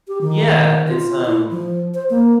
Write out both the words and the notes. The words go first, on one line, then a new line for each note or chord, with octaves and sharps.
Yeah, it's, um
G4
D#3
F4
E4
F3
C5
A#3